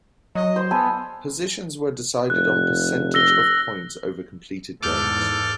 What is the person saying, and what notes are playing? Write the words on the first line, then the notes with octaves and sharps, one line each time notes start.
Positions were decided on percentage of points over completed games.
F#3 D#5
C5 C6
B3 A4 G#5 B5
F1 F#6
E6 A#6 G7
E2 G#2 A4 D6 F6 G6